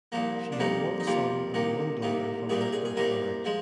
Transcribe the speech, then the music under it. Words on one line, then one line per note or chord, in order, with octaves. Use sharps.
She had one son and one daughter from her first marriage.
C2 A#2 F3 A#3
D4
F2 C3 G3 A#3 D#4
D#4
F2 C3 G3 A#3 F4
C2 C3 D#3 A#3
C2 C3 D#3 A#3
C2 A#2 G3 C4 G#4
A#4
G#4
G#4
C2 A#2 G3 C4 A#4
F3 G#3